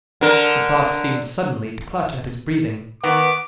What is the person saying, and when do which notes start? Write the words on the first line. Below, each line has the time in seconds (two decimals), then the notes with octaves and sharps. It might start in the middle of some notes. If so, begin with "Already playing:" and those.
The thought seemed suddenly to clutch at his breathing.
0.21 D3 A#4
3.03 D#3 B3 D6